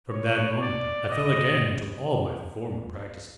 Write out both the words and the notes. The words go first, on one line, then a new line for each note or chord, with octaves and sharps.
From that moment I fell again into all my former practices.
C#5
D5
D#5